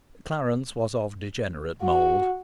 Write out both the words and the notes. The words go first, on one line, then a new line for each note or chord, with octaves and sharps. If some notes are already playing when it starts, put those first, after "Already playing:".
Clarence was of degenerate mould.
F#4